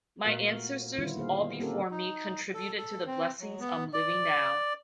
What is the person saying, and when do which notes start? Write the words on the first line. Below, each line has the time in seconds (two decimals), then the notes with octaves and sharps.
My ancestors all before me contributed to the blessings I'm living now.
0.24 A#2 A3 B3 F#4 A#4 F5
0.98 D3 D#3 G3 B3 E4 F4
1.17 A#3 G#4 C5 F5
1.42 B3
1.60 A#3 C4 C#4 G4 A4 A#4
1.91 D#4
2.54 A4
2.78 A4
3.07 C4
3.40 F#3
3.60 B3
3.93 D5